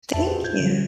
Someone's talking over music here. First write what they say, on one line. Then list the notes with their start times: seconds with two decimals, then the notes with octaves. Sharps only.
Thank you.
0.13 F2 E5 A5
0.27 F#4 G#4 B4 C5
0.44 F4 G6 G#6
0.60 D3 G3